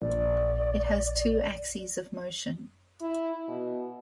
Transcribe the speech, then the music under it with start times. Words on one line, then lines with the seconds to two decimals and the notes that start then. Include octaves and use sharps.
It has two axes of motion.
0.02 A#1 D5
3.01 E4
3.48 B2